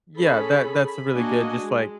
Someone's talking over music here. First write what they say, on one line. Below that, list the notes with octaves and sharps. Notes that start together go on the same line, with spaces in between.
Yeah, that that's a really good just, like,
C#4 G#4 A4 B5
G#4 B5
A#3 D4 F#4 D#5 G#5
G#3